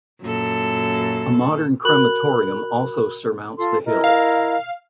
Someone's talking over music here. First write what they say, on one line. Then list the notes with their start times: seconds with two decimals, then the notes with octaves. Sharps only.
A modern crematorium also surmounts the hill.
0.21 F#2 A#2 A4
1.85 F#4 A#4 B5 F#6 F#7
3.58 F4 A4 C6
3.85 E4 A#4 D#5
4.04 F5